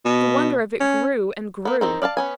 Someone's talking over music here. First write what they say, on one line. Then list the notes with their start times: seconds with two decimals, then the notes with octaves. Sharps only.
The wonder of it grew--and grew.
0.05 B2
0.80 C#4
1.65 A#3 B3
1.81 D#3 C4 D#4
2.02 D5 F5 G#5 A5
2.17 B3 C#4 G#5